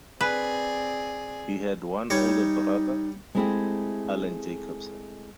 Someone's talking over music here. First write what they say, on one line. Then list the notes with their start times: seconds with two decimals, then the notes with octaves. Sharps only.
He had one older brother, Allen Jacobson.
0.21 C4 G#4 B4 D5
2.10 G3 D#4 C#5
3.35 G#3 A3 C4 E4 G4 G#4